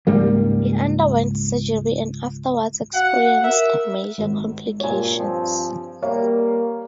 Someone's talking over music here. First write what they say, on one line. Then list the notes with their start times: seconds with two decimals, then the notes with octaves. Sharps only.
He underwent surgery and afterwards, experienced major complications.
0.07 C#2 G#2 G3 A#3
2.94 F#4 F5 F#5
3.43 A#4 E5
4.18 G#1
4.80 G2 A#2 C#5 G#5
5.15 G2 F3 C4
6.03 G3 A#3 C#5 F5